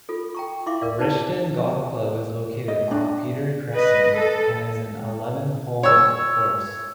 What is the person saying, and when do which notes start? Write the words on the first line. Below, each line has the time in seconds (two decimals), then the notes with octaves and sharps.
Rishton Golf Club is located off Petre Crescent, and is an eleven-hole course.
0.09 F4 A4
0.35 G5 A#5 C#6
0.66 E4 E5 F5 C6 D6
0.81 A#4 D5 F5
0.99 D#4 B4 D5 A5
2.68 D#5
2.91 D4
3.75 B4 D#5
4.15 A4
5.83 C#5 E6